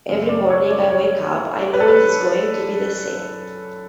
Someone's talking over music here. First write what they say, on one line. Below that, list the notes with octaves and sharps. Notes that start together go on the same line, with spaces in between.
Every morning I wake up I know it is going to be the same.
F#2 C#3
D5
D5
C#5
D5
C#5
B4
A4
B4